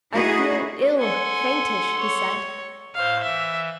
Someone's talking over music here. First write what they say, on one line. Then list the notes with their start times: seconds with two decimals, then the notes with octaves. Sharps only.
"I feel ill--faintish," he said.
0.12 A3 D#4 E4 F#4 G#4
0.99 A4 F#5 G#5 C6
1.98 C#5
2.95 A2 C5 F5
3.23 E3 E5